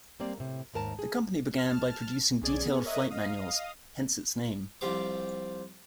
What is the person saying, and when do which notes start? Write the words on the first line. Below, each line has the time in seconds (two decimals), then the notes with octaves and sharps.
The company began by producing detailed flight manuals, hence its name.
0.20 G3 A#3 C4 D5
0.38 A2 C3
0.74 D#2 G#2 A#4 A5
0.99 G#4
1.58 A5 F6
2.42 B1 C#4 G#4 D5 G#6
2.63 B3 G#4
2.85 A#4 C#5 D#5 E5 D#6 F#6
3.11 D#5 F5 D#6
4.81 C2 C3 F3 G4 C5 D6